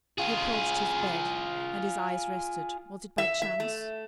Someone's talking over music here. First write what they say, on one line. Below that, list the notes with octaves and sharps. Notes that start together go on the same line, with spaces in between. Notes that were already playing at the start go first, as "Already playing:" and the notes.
He approached his bed, and his eyes rested, was it by chance?
F4 G#4
E5
E5
A3